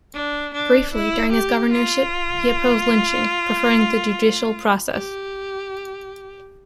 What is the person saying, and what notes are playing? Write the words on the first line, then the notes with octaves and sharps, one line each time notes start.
Briefly during his governorship he opposed lynching, preferring the judicial process.
D4
D4
E4
G4
F4
G4